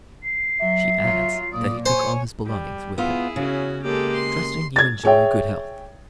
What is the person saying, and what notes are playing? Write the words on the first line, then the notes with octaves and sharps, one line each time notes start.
She adds that he took all his belongings with him.--Trusting you enjoy good health.
C7
F#3 E5
F#3 F4
A#2 D5 D#6
C5 C#5 G#5
G3
B3 E4 F4 G#4
C#3 C#4 F#4
G#3 A#3 G4 A4
C6
G#6 A6
G#4 C#5 E5 G5